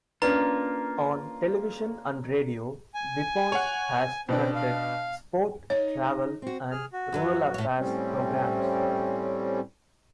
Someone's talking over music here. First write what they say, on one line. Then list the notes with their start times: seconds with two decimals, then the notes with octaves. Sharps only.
On television and radio Vipond has fronted sport, travel and rural affairs programmes.
0.22 A#3 C#4 D4 F4 B4 A#5
2.94 G#5
3.52 C#5 F#5
4.29 B2 B3 C4 D4
4.55 F5
5.70 D#4 C#5
6.42 C4 F#4
6.71 G#4 F6
6.93 F#4
7.12 F#2 F#3 B3
7.54 A2 C#5
7.78 A2 G3 C4 C#4